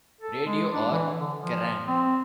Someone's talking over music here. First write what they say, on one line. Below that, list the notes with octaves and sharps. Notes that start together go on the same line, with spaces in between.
Radio or Kerrang!
A4
G#3
D4
E3
D3
F3
C4